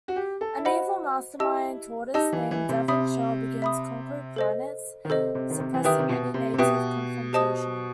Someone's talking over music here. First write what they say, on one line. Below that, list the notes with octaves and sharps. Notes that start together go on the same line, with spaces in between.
An evil mastermind tortoise named Devan Shell begins conquering planets, suppressing any native confrontation.
F#4
G4
A4
E4
F#4 C5 D#5 F#5 B5
E4 G4 D#5 A5 E6
D#4 G4 D#5 A5 E6
E3
E3
C3
C3 E5 B5 D#6
E5 B5 D#6
A4 C5 D#5
D#3
C3 A4 C5 D#5
C3
D#3
C3
E3
D#3 G4 B4 E5 G5 D#6
C3
B2
C3
C3
B2 G4 B4 E5 G5 D#6
G4 C5 D#5 A5 D#6